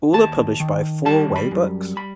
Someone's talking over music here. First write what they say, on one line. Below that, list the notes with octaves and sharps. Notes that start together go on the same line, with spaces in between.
All are published by Four Way Books.
D#2 A5
D#3
G3 A5
B5
F#2
B5